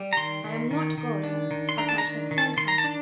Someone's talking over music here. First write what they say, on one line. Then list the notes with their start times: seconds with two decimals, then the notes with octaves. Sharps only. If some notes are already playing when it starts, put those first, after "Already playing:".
"I am not going, but I shall send her."
Already playing: G3
0.13 A#5
0.17 D#3 C6
0.44 D#3
0.71 D#3
0.98 D#3
1.24 D4
1.51 D#3
1.69 C6
1.77 D4 A#5
1.89 A5
1.98 A#5
2.04 D#3
2.31 D#3
2.38 A5
2.57 D#3 C6
2.68 A#5
2.78 A5
2.84 D4